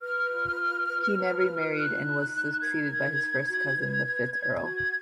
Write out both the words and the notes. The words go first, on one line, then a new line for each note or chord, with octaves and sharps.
He never married and was succeeded by his first cousin, the fifth Earl.
B4 F6
F4
B4
B4
B4
F4
D#4 F#6
D#4
D#4
A#4 G#6
D#4
D#4
F#4
B4
B4
B4 G#6
F#4